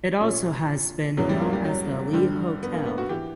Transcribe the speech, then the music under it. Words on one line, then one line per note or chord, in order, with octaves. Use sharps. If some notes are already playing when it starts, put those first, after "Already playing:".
It has also been known as the Lee Hotel.
A#2 C#4
E2 C#3 E3 F#3
G3
A#3
G3
F#3
G2 D3 G3
B3
A#3
B3
F#4
E3 G4